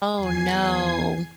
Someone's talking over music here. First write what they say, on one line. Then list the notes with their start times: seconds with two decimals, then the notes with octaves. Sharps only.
Oh, no.
0.14 E2 G#5 G#6 C7